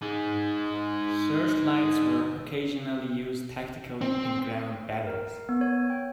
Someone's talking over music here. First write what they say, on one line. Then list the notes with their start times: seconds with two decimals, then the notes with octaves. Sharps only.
Searchlights were occasionally used tactically in ground battles.
0.02 D#4 G#4
4.01 C4
5.07 A#4
5.49 B3
5.61 C#5
5.90 G5